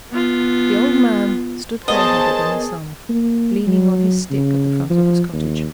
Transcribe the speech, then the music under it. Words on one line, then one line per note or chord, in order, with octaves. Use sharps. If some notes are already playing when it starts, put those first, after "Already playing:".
The old man stood bareheaded in the sun, leaning on his stick at the front of his cottage.
B3 F4
B3 G#4 A#4 C5 C#5 D#5 A5
A#3
F#3
C#3
F3
D#2